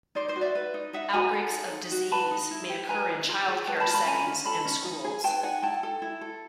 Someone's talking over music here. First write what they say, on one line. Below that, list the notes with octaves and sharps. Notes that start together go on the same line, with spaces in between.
Outbreaks of disease may occur in childcare settings and schools.
D#4 C5 D5
C5 D5
F#4
D5 E5
B4
D#4
D#4 E5 F#5
F#4 G#5 A#5
A4
D#4
D#4
F#4
B4 A5 B5
D#4
E4
G4
B4 G#5 A#5
E4
F4
G#4
B4 G5 A5
A5 B5
F4
A5 B5
C#4 G#5 A#5
F4
A4 A5 B5
C#4
D#4
G#4
B4 G5 A5
D#4 F#5 G#5
E4 G5 A5
A4
E4
A4